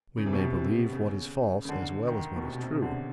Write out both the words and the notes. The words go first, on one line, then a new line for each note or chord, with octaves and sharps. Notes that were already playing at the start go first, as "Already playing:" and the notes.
We may believe what is false as well as what is true.
C#3
C3
B2
C3
C#3
C#3
D3
D#3
B2
C3
B2
C3
C#3
D3